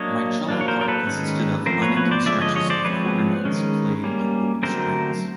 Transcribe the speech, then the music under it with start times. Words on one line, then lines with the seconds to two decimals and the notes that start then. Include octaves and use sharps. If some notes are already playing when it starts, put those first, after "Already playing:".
My cello part consisted of unending stretches of quarter notes played on open strings.
Already playing: F#3 A#3 D4 C#5 D#5
0.48 F#3 A#3 D4
0.61 C#5
0.68 A#4 C5
0.81 A#4
0.88 A4 B4
1.07 D#3 G#3 C#4
1.66 F3 A3 C4 A#4 C5
1.82 B4 C#5
1.96 B4 C#5
2.11 C5 D5
2.26 D3 F3 G#3 D5 E5
2.41 C#5 D#5
2.56 C#5 D#5
2.70 C5 D5
2.85 F3 G#3 C4 B4 C#5
3.45 D#3 G#3 C#4
4.03 G3 A#3 C#4
4.63 D3 F#3 A3 C4 A#4 C5